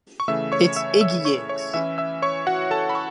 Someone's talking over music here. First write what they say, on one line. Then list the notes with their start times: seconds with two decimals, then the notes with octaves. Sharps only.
It's Iggy Iggs.
0.20 C#6
0.28 C#3 E3 A3 E5 E6
0.52 C#5 C#6
0.76 E5 E6
1.01 E5 E6
1.25 C#5 C#6
1.49 C#5 C#6
1.74 E3 C#4 E4 E5 E6
1.98 E5 E6
2.22 C#5 C#6
2.47 F#4 F#5
2.71 A4 A5
2.89 B5
2.95 C#6